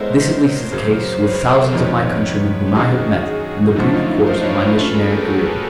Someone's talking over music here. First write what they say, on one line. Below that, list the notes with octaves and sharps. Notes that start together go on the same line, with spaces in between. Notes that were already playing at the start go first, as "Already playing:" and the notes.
This, at least, is the case with thousands of my countrymen whom I have met in the brief course of my missionary career.
Already playing: G#3 B3 E4 A4 A#4 C5 C#5
F#2 C#3 F#3 A#3
B4 C#5
A#4 C5
A4 B4
C5
F2 C3 D#3 G3 B3 B4 C#5
G4
F#2 D#3 F#3 A#3 C#4 F#4 G#4
D#4
F#2 D3 F3 A3 C#4 D4 E4
D#4 F4
A#4 C5
B4 C#5
A#4 C5
A3 C#4 F4 A4 B4
B4
G#4 A#4
G4 A4
F#4 G#4